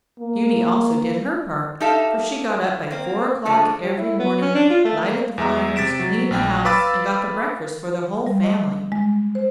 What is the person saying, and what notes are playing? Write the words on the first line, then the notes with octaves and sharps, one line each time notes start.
Beauty also did her part, for she got up by four o'clock every morning, lighted the fires, cleaned the house, and got the breakfast for the whole family.
A#3
D#4 G4 A4 E5 F5
A#3 C4
C#3 F3 G#3 D4 A4
G3
E4
B3
C#4
D4
F4
A3
A#3
E2 G#3 E5 A#5
C3 A6 B6 D7 E7
F#3
A#1 G5
B4 F5 B5 D6 E6 A6
G3
D#5
G#3
C5